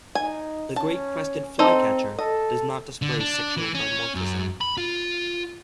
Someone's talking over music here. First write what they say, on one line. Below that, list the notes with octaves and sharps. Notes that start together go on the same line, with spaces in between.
The great crested flycatcher does not display sexual dimorphism.
D#4 G#5
C#4 A5
C4 D#4 A4 C5
A4 D#5
D3
D4
E3
C#4
F#2
B5
F4